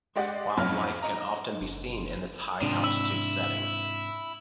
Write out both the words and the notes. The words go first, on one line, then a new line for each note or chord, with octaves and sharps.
Wildlife can often be seen in this high altitude setting.
G#3 G4 D5 D#5 F#5
B1 F2 F#3 C#4 B5 F6
D#5 A#5
F#1
G#2 C3 D#3 F3 D4
E4 E6